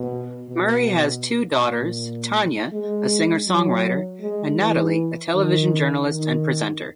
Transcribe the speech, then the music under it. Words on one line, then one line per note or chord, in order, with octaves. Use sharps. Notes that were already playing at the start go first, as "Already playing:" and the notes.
Murray has two daughters, Tania, a singer-songwriter, and Natalie, a television journalist and presenter.
Already playing: B2
B2
A#2
G#3
F#3
G#3
E3
D#3
D#3